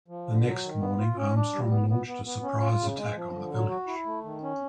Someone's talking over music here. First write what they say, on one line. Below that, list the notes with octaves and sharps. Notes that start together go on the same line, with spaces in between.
The next morning Armstrong launched a surprise attack on the village.
F3
D3
F#3
D#3
B3
F4
C#4
D4
G3
B3
B3
B3
B3
C#4
F4
C#3
G#3
F3
D3
F#3
F#4
E4
A3
D#3
C#4